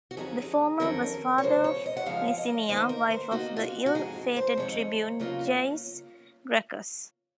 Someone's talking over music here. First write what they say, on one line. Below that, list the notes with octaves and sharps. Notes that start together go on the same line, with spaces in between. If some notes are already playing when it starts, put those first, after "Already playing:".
The former was father of Licinia, wife of the ill-fated tribune Gaius Gracchus.
F#4
F2 D#3 F#3 C#4 G#4
F2 D#3 F#3 C#4 A#4
C#5
F#2 C#3 F3 G#3 C5
C#5
D#5
F#5
F#2 C#3 F3 G#3 F5
D#5
D#3 A#3 D#4 C5
A#4
C5
D#3 A#3 D#4 F#4
F4
F#4
F#4
F2 D#3 G#3 D#4 G#4
C5
F2 D#3 G#3 D#4 C#5
C#3 F#3 A#3 F4